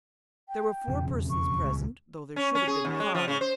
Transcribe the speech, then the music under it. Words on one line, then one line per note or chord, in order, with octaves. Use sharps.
There were four persons present, though there should have been five.
G5
E1 F2 C#3
C#6
D#1 C#2 G#3
C#4
C#4
G#4
D#2
G#3
F3
C#3
C5